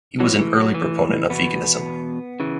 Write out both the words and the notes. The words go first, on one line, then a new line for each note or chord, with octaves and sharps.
He was an early proponent of veganism.
A2 E3 F#3
E3
F#3
E3
E2 B2 B3
C#3 E3